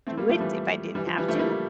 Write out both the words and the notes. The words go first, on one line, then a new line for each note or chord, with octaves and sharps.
do it if I didn't have to,
A3 C4
G3 A#3
F3 A3
E3 G3
E3 G3
F3
E3 G3
F3 A3
G3 A#3